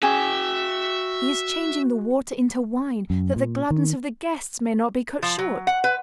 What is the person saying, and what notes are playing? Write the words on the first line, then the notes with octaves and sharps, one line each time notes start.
He is changing the water into wine that the gladness of the guests may not be cut short.
C#4 F#4 G#4 E5 G5
F#2
A#2
D#3
F3
F#3
F#5
B4